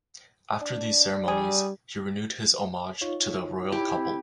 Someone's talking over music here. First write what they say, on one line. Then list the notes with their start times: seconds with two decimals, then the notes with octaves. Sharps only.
After these ceremonies, he renewed his homage to the royal couple.
0.62 D4
1.28 G3 G#4
3.01 D#4 F4 C#5
3.72 E4 G4
3.97 C4